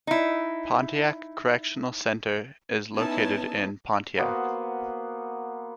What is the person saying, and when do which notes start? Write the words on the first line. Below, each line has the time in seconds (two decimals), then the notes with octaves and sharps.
Pontiac Correctional Center is located in Pontiac.
0.07 D#4 E4
2.97 B3 C#4 D#4 E4 G#5 A5
4.17 A#3 B3 F#4 C5